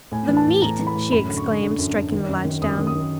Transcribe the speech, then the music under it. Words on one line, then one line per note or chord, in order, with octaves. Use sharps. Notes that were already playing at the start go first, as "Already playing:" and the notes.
"The meat!" she exclaimed, striking the latch down.
A2 G#5
E3
A5
A2
A2 A#5
E3
B5
A2
F#2 B5
D3
C#6
D3
D3
F#2
F#2
D#3
F#2
D#3
F#2 D#6
D#3
D#6
D#3